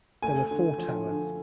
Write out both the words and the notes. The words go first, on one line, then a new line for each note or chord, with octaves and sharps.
There are four towers.
A3 G#5
D3
F3
D3